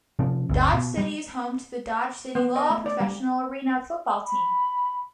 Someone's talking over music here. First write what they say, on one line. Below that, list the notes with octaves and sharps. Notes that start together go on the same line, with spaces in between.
Dodge City is home to the Dodge City Law professional arena football team.
C3 F3 C#4
G1 D2
B2
G3
B3
D#5
A3
D5
G3
B5